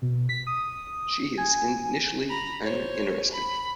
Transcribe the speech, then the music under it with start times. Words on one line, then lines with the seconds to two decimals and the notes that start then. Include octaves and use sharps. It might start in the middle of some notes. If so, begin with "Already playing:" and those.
She is initially uninterested.
0.02 B2
0.29 B6
0.47 D#6
1.38 G#5
2.29 A#5 B5
2.63 C5 C#5
3.32 B5